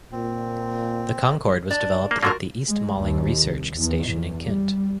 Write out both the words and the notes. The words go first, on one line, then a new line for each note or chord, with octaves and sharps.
The Concorde was developed at the East Malling Research Station in Kent.
A#2 C4
D4 D5 A5
A#3
D3 F#3 A#3 F4 F#4 A#4
G#3
D#2
C2
E2
E2
G3